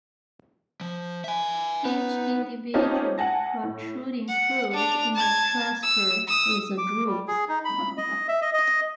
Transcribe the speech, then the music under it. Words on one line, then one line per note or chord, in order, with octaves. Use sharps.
Each individual protruding fruit in the cluster is a drupe.
F3
E5 G#5
B3 D#4
C4 C#4 D#4 F4 G4 A5
F#5 G#5 A5 A#6
A2
F#5
D4 F7
A5 G#6
E6
D#6 E6
D6
G3
G#4
D#4
B5
D#5
E5
D#5
D#5